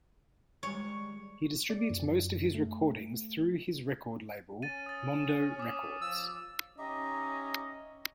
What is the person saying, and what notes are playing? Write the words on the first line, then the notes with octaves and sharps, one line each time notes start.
He distributes most of his recordings through his record label Mondo Records.
D#3 G3 G#3 C#5
D5
F#2
A3
C#4 A6 D#7
D#6 A6
D6 D#6
F3 E6
C#4 D#4 G4 D#5 E5